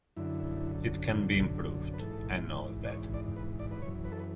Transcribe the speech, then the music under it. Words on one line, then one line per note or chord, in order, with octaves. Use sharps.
It can be improved; I know that.
F#2 D3 E4
B4
G#2 E3 A4
D5
C#5
D5
B4
D5
B4
F#2 E3 C#5
B4
A4
B4